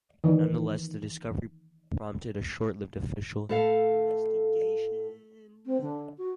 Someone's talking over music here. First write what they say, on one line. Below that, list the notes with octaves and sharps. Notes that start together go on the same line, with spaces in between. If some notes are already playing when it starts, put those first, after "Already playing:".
Nonetheless, the discovery prompted a short-lived official investigation.
D#3 E3
A2 A4 F5
C4
D3
F#4